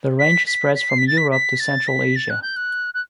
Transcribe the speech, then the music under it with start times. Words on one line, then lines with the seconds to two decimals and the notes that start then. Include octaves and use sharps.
The range spreads from Europe to Central Asia.
0.19 B6
0.47 B6
0.75 B6
0.89 C7
0.98 B6
1.08 A6
1.17 B6
1.31 B6
1.60 A6
1.87 B6
2.16 A6
2.30 F#6
2.42 G6
2.56 F#6
2.94 F#6